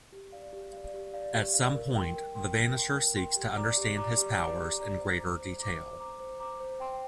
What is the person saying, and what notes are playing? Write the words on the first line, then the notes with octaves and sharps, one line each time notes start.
At some point, the Vanisher seeks to understand his powers in greater detail.
G4
D5 F5
G4
D5 F5
G4
D5 F5
G4
D5 F5
A#4
G5 C6
A#4
G5 C6
A#4
G5 C6
A#4
G5 C6
G4
D5 A#5 D6
G4
D5 A#5 D6
G4
D5 A#5 D6
G4
D5 A#5 D6
C5
A#5 D6
C5
A#5 D6
C5
A#5 D6
C5
A#5 D6
C5
G5 C6